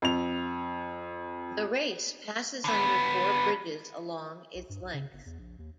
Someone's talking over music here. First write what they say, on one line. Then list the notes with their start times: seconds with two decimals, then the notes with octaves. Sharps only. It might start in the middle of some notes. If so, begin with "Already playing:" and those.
The race passes under four bridges along its length.
0.02 F2 F7
2.64 D3 B3
4.55 B1
4.69 G2
4.81 B1
4.93 C#3
5.13 G1
5.26 E2
5.39 A#1
5.59 D#2